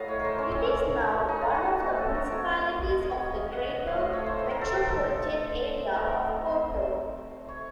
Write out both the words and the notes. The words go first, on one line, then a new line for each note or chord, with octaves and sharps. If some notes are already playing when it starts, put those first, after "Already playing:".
It is now one of the municipalities of the Greater Metropolitan Area of Porto.
Already playing: A2 F#3 A3 D#5 F5
C#5
A#4
C5
C#4
C4
C#4
D#4
F4
F#4
C3 F3 A3 F#4
A4
A#4
C#5
F5
F5
D#5
D#5
C#5
F5
F#5
D#5
A2 F3 A3 F5
D#5
C#5
C5
C5
A#4
A4
A#4
A4
C3 D#3 A3 A#4
C5
C#5